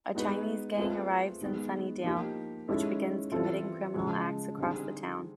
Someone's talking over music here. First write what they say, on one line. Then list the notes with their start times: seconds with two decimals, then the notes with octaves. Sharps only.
A Chinese gang arrives in Sunnydale, which begins committing criminal acts across the town.
0.15 G#3 B3 D#4 F#4 B4
0.77 A3 C4 F4 G#4 B4
1.41 D#3 G#3 B3
2.04 F3 A#3 D#4 G4
2.68 D#3 G#3 C#4 E4 A4
3.32 E3 G3 C4 F4 A4
3.94 C#3 F3 G#3
4.58 D3 G3 C4 D#4 G#4